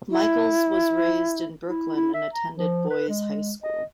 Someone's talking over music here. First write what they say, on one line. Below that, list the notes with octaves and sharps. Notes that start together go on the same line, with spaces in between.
Michaels was raised in Brooklyn and attended Boys High School.
E4
E4
E4
E5
A#5
F3
B4
G#3
D#5